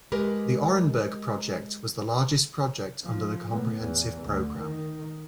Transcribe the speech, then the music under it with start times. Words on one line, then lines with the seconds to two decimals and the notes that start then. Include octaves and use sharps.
The Orenburg project was the largest project under the Comprehensive Program.
0.12 G#3 G4 A#4 B4
3.04 F3
3.50 A2 B3
3.83 E2
4.23 D2
4.58 D#3